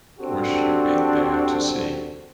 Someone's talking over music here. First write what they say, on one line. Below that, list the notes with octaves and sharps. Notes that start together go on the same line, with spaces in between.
Wish you'd been there to see.
C4 D4 F#4 G4 A4